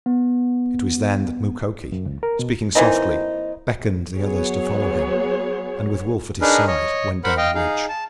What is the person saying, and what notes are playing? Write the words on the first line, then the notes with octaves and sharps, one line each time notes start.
It was then that Mukoki, speaking softly, beckoned the others to follow him, and with Wolf at his side went down the ridge.
B3
F#2
C#2
A#4
B2
E3 A#3 C4 D#4
F#3 B3 G#4 C#5
D4 D#4 G#4 A#4 B4
C#5 D#5
A#4 C5 F#5 B5
D#5 F5 G5
D#4 G#4 F5
A5